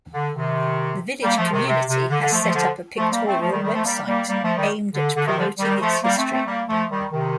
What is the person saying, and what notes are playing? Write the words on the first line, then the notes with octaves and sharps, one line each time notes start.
The village community has set up a pictorial website, aimed at promoting its history.
D3
C3 D#3
G3 A#3
F3 A3
C3 D#3
C3
C3
D3
D3
F3 A3
F3 A3
D3 F3
F3 A3
G3 A#3
A3 C4
F3 A3
D#3 G3
D#3 G3
F3 A3
G3 A#3
G3 A#3
G3 A#3
F3 A3
D#3 G3
D3
D3
C3 D#3
D3 F3
D#3 G3
F3 A3
G3 A#3
A3 C4
A3 C4
G3 A#3
F3 A3
D#3 G3
C3 D#3